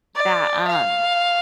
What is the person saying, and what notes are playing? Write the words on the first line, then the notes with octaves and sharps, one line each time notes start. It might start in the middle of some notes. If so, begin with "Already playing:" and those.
that, um
D5
F5